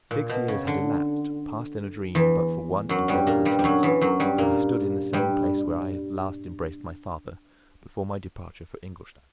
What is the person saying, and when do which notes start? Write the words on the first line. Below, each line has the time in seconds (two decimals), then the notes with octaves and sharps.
Six years had elapsed, passed in a dream but for one indelible trace, and I stood in the same place where I had last embraced my father before my departure for Ingolstadt.
0.11 A#2
0.29 B2
0.48 C#3
0.67 D3
2.15 E2 E3
2.89 F#2 F#3
3.08 G2 G3
3.27 A#2 A#3
3.45 G2 G3
3.59 G3
3.64 F#2 F#3
3.83 E2 E3
4.01 F#2 F#3
4.20 G2 G3
4.38 A#2 A#3
5.13 G2 G3